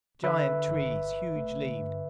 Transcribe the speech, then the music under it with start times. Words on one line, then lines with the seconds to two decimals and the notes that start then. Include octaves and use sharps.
Giant trees, huge-leaved.
0.23 D3 B4 E5
0.46 D3
0.68 G1
0.91 G1
1.14 G1
1.36 A3
1.59 D3
1.81 G2